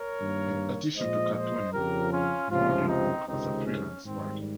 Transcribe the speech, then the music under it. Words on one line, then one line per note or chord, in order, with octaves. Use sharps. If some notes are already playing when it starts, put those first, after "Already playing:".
In addition to cartooning, Mauldin worked as a freelance writer.
Already playing: A#4 C#5
G2 D#3 A#3
A#2 F3 G#3 C5 D#5
C5 D#5
F2 C#3 F3 G4 A#4
C#4 F4
C#2 C3 F3 C#4 F4
C4 D#4
C#2 C3 D#3 G#3 C4 D#4
C#4
G#2 D#3 G3 C4